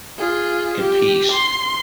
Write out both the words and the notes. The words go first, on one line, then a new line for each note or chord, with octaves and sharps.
and peace.
F4 G#4
G4
C6